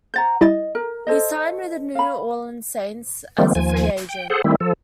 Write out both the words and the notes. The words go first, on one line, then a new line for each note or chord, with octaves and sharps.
He signed with the New Orleans Saints as a free agent.
C5 F#5 A#5 G6 A6
G3 E4 D#5 A6
A#4
A4 C5 D#5
F5 B5
D#3 F3 G3 G#3 A#3 C4
D#2 F3 G#5
G5
G#4 A4 C5 F#5
D#3 G3 A3 C4 E4
F3 A4